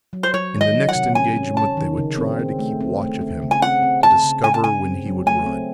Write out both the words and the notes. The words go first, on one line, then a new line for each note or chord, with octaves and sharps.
In the next engagement they would try to keep watch of him to discover when he would run.
F#3
C5
F#3 C#5
D#3
D#5
F#3
F#5
C3
C#4 G#5
C#4
C#4 A5
D#3
C#3
C4
C4
A3
C4
A3
C4
C#3
G#5
C4 F#5
C4
C4 A5
C#3
C#3 G#5
A5
C#3 G#5
C4
F#3
A3 G#5
C4